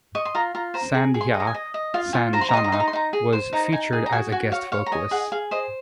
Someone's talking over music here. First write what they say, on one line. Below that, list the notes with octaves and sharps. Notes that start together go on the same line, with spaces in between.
Sandhya Sanjana was featured as a guest vocalist.
D#5 C#6
C6
F4 A#5
F4 A#5
C5 A#5
G#4 A#5
G#4
C6
D#5
A#5
G#5
D#5
D#5
F4 F5
F4 G#5
C5 A#5
C6
A#5
D#5 C6
A#5
D#4 C6
A#5
C6
D#4 A#5
G#4
C5 C6
D#4 A#5
D#4 G#5
G#4
A#5
F#4 G#5
F#4 G#5
C#5 F5
C#5 F5
A#5
D#5 G#5
G#4 F#5
G#4 F5
C5 D#5